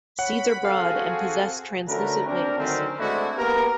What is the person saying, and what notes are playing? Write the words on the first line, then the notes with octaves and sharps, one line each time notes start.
Seeds are broad and possess translucent wings.
C#5 F#5 B5
C4 F#4 G#4 A4 F5
D3 A3 C#4 F#4 A#4 B4
C4 D4 A#4
D3 D#3 F#3 A3 C4 C#4
G#3 A3 C4 D4 E4 F#4
A#3 B3 G4 A#4